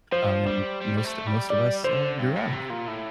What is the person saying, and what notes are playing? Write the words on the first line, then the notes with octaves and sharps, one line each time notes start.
Um, and most most of us, uh, grew out of that.
F3 C5
G3
G3
G3
A3
G3
G3 D5
D3 C5
G2
A2
C3
A#2
A2